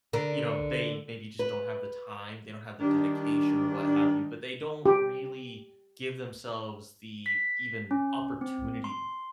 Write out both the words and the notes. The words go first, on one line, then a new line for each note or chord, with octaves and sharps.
you know, they maybe just don't have the time, they don't have the dedication or what have you, but they don't really give themselves the even opportunity
D3 A#4
B4
D#3 G3 D4
G4
B6
C#4
C4
C6